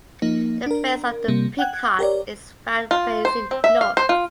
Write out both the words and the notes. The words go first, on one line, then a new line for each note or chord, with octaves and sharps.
The face of the peacock is found facing north.
F3 A#3 D#4
D4 A#4
C3 G3 A#3
F#5 G5 F#6 G#6
G4 A#4 C#5 D5
F4
C5
C4
E5
F5
C5
F4